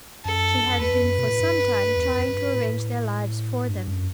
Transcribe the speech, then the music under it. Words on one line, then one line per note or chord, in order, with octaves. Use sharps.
She had been for some time trying to arrange their lives for them.
F#2 A4
G2
F#2
E2 B4
F#2
B2
A2
G2
E2
F#2
F#2
G2
A2
G2
F#2